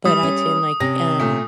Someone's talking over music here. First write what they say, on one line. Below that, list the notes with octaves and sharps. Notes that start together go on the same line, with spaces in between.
But I tend like um,
G3 D#6
C#4
C3 C#4 A#6
A#2 A3